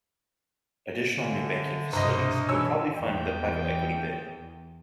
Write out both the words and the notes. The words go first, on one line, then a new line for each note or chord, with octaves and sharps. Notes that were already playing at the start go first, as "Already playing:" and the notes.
Additional new banking facilities would probably fund the private-equity bid.
D3 E5 F5 G#5
C2 G2 B2 C5 D#5
E3 D4 F#4 C#5 G#5 E6
E2 G5